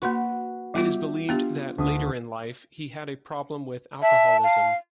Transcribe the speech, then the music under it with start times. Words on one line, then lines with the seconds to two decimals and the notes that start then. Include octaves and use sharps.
It is believed that later in life he had a problem with alcoholism.
0.02 A#3 F#4 B4 C6 C#6
0.74 G3 B3 F4 G4 E5
1.29 B3 D4 F4 G4
1.78 D2 D#6
4.02 E5 A5
4.44 F5